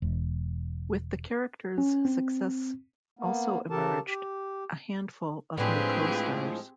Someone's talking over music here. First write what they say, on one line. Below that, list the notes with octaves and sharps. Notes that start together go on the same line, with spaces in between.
With the character's success also emerged a handful of new costars.
E1
C#4
C4
A#3 B3
C#3 G4 A4 A#4 A5
G4
A2 F3 G#3 C4 D4 G4 G#4 B4